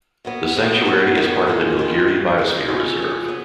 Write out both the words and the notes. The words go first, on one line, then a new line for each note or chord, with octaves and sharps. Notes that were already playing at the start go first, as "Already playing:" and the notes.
The sanctuary is part of the Nilgiri Biosphere Reserve.
B2 F#3 B3
B2 F#3 B3
F#2 D#3 F#3 B3
F#2 D#3 F#3 B3
F2 D#3 G#3 C#4 F4
F2 D#3 G#3 C#4 F4
F#2 C#3 G#3
F#2 C#3 G#3
F2 C#3 F#3 C#4 G#4
F2 C#3 F#3 C#4 G#4
F#3 B3